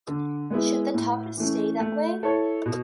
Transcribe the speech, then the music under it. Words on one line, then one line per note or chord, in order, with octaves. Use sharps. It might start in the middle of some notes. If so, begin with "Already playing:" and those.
Should the tuft stay that way?
D3
G#3 B3 E4 G#4
A2
E3 A3 C#4
A3
E4 A4 C#5
B2